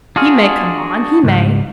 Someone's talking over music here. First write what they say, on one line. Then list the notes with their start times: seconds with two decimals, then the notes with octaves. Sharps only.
He may come on--he may.
0.16 D4 F4 F#4 G#4
1.23 C#2 G#2 G3